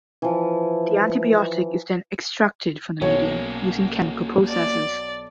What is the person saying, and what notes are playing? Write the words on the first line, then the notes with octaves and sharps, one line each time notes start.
The antibiotic is then extracted from the medium using chemical processes.
E3 F3
B1 A#3 C#4 C#5
D5